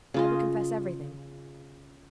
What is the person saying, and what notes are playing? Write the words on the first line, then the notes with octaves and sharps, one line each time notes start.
I will confess everything.
C#3 F4 D#5